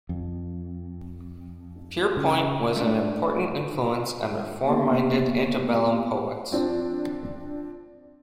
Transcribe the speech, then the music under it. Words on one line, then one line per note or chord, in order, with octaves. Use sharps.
Pierpont was an important influence on reform-minded antebellum poets.
F2
C#3
A3 D4
A#3 B3 G4 C#6
F3 C4 D4